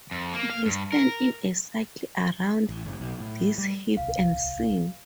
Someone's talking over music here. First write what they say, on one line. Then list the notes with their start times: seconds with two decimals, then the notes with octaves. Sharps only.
They stand in a circle around this heap and sing.
0.11 F2
0.34 A#3
0.50 F5
0.65 G2
0.92 A#4
2.69 A1
2.85 F#1
3.00 B1
3.20 A2
3.58 G3
3.97 D1 C2 F5